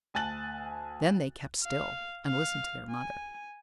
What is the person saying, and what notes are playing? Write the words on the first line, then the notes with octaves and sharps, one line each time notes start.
Then they kept still and listened to their mother.
D2 G#5 A5 F#6 A6 F#7
F5
F5
G#5